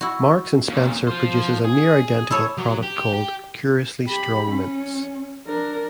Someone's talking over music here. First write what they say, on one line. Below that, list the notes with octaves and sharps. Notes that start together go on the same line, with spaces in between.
Marks and Spencer produces a near identical product called "Curiously Strong Mints".
E4 F#4
A#2 C#3
F4 C5
G#4
E4 A4 C#5
F#3
G4
G4
G4 B5
C#4
D4 A#4